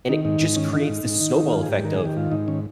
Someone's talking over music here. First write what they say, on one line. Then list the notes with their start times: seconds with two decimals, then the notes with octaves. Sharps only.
and it just creates this snowball effect of
0.09 D#3 D#4
0.25 G#2 D#4
0.41 G#2
0.56 D#3 C#4
0.73 D#3 D#4
0.80 F4
0.88 G#2 D#4
1.04 G#2
1.20 D#3
1.36 D#3
1.53 G#2 F4
1.63 G#4
1.68 G#2 G4
1.84 D#3 A#4
1.94 G#4
2.01 D#3 G4
2.17 G#2 F4
2.32 G#2 D#4
2.48 D#3 C#4